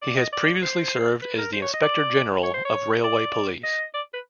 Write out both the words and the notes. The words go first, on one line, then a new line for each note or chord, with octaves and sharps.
He has previously served as the Inspector General of Railway Police.
D5
D#5
D5
C5
B4
A#4
C5
C#5
D#5
D5
C#5
C5
C#5
D5
D#5
D5
B4